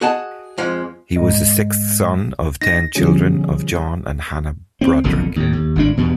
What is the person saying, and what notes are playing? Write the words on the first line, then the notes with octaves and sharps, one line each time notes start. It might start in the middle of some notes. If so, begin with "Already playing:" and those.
He was the sixth son of ten children of John and Hannah Brodrick.
F#4 G#4 D#5 A5
F2 F3 G#3
G#2 D#5
D#4 A#6
B2 D3 F3 G3 C#4 G#4
C4
F#1 B1 F2 D3
D#2 A2
D#2
G#1 A2 D4
E2 G2 B2